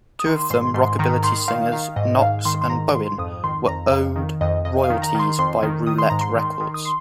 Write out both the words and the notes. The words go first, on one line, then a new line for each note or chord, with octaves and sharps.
Two of them, rockabilly singers Knox and Bowen, were owed royalties by Roulette Records.
D#6
D#3 C6
G#2 C6
G#2 C6
D#3 A#5
D#3 C6
D#3 F5
D#3 F5
G#2 D#5
G#2 F5
D#3 C6
C6
G#2 A#5
G#2 C6
F2 D#6
D#3 C6
F2 A#5
F2 F5
D#3
F2 D#5
F2 D#5
F5
D#3
A#5
D#3 C6
F2 C6
D#3
D#3 D#6
C6
G#2 A#5
C6
D#3
D#3
D#6
C6